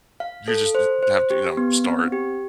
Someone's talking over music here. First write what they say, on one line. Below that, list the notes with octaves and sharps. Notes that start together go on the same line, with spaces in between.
You just st have to, you know, start
F5
A4
C5
C5
G4
B3
C4
G4